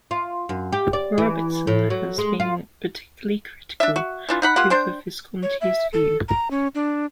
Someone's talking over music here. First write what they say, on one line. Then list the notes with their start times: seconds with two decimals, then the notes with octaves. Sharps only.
Robertson has been particularly critical over Visconti's view.
0.11 F4
0.49 F#2
0.73 G4
0.93 D5
1.18 E3
1.67 A2
1.90 F#3
2.18 G#3
2.40 F4
3.80 D4 E5
3.96 F#4
4.29 E3 D4 F4
4.42 D#4 F#5 B5
4.56 A#3 F4 G4 F#5
4.70 D4 C5 G5
5.43 C#5
5.61 E5
5.93 A4
6.28 A#5
6.51 C#4
6.75 D4